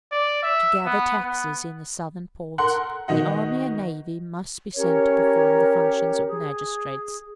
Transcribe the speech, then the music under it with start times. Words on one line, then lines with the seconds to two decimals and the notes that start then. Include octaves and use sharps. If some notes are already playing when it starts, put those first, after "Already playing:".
To gather taxes in the Southern ports, the army and navy must be sent to perform the functions of magistrates.
0.12 D5
0.43 E5
0.86 B3
1.23 B3
2.58 A4 A#4 F#5 C6 F#6
3.08 B2 D#3 D#5 F#5
4.76 C#4 G4 A#4 C#5
6.26 G#4